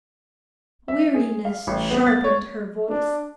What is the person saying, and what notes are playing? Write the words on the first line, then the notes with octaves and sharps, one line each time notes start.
Weariness sharpened her voice.
E5
G#4
F5
A1
B3
A6
C#5
D4